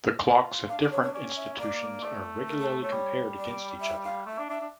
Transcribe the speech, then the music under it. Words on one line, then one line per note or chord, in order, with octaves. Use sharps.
The clocks at different institutions are regularly compared against each other.
F4
D4 F5
D5
C#5
C#5
C#4 D5
E5
A#3 D5
A3
A#4
A4
A4
A3 C#5
G3
D5
E5
F5
A3 E5
D4
D4 E5
D4